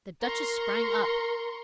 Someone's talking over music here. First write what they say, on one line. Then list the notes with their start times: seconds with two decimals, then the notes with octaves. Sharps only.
The Duchess sprang up.
0.22 A#4 A#5 C6 C#6